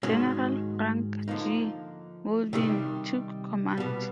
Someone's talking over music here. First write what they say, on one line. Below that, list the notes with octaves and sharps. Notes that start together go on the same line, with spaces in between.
General Frank G. Mauldin took command.
G#2 D#3 G#3 C#4 F#4
D3 F3 A#3 D#4
C3 D#3 G3
B2 G3 B3